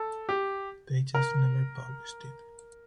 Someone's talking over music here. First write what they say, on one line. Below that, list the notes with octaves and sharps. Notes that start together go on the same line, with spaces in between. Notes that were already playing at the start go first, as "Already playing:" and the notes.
They just never published it.
Already playing: A4
G4
A#4